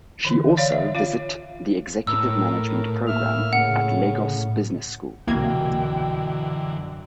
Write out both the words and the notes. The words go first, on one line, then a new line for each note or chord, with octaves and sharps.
She also visit the Executive Management Programme at Lagos Business School.
D3 E3
C#5 D5 F5
E5
F4 C#5 F5
A2 A#4 E6
A#3 E5 F6
C#3 F#5
C2 F#2 B2 D3 E3 A#3 G5 G#6